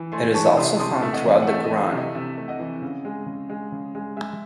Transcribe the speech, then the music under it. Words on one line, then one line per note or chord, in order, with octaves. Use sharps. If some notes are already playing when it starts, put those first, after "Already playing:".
It is also found throughout the Quran.
Already playing: E3
A3 G#5 C6
E3 A5 C#6
C3 C6 D#6
C3 C6 D#6
A3 E5
D#5 F#5
E3
F#5
A3 E5
D#5
E3
E5
C3 D#5
C3 E5
A3
D#5 F#5
E3
C#3
G#3
C#3
G#3
C#3
G#3
G#3 E5